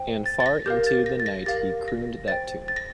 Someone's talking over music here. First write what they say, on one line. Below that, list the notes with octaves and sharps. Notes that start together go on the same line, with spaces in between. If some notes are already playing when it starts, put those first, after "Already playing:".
And far into the night he crooned that tune.
Already playing: C5 G5
A6
A6
A#6
G4 A#4 F5 G6
A6
A#6
A6
A#6
G4 A#4 F5 A6
A#6
C5 G5 A6
A6
A#6